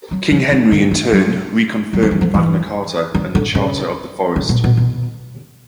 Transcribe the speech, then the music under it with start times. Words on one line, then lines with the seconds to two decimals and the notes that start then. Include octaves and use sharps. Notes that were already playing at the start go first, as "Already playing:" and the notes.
King Henry in turn reconfirmed Magna Carta and the Charter of the Forest.
0.11 F#3
0.31 F3
0.52 D#3
0.72 D3
0.91 D#3
1.12 F#3
1.93 F#3
2.03 F3
2.11 E3
2.21 F3
2.34 E3
3.15 D#3
3.35 D3
3.55 C#3
4.36 C#3
4.49 B2
4.64 B2
4.77 B2